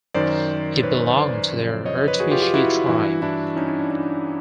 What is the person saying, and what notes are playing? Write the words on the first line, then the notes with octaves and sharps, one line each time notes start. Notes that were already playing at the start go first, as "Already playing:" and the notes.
He belonged to the "Artushi" tribe.
F#2 D#3 C5 D5
B4 C#5
C5 D5
F#2 C#3 F3
C#5 D#5
B4 C#5
F#4 G#4
F4 G4
F4 G4
E4 F#4
G2 E3
D4 E4
C#4 D#4
D4
D4
D4